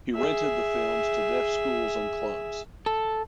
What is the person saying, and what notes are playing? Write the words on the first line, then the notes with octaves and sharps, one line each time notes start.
He rented the films to deaf schools and clubs.
G#4 E5
A4